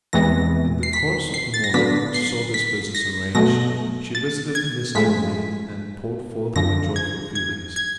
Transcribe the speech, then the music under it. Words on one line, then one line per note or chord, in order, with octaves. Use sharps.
In the course of the morning which saw this business arranged, she visited Miss Tilney, and poured forth her joyful feelings.
E2 C3 E3 G#3 B3 A#6
C7
B6
C7
A6
A#6
D3 F#3 B3 D4 B6
C7
B6
A#6
B2 F#3 A3 A#6
A6
G#6
A2 F3 G#3 B6
F#2 D3 F3 A#6
G#6
G#6
G#6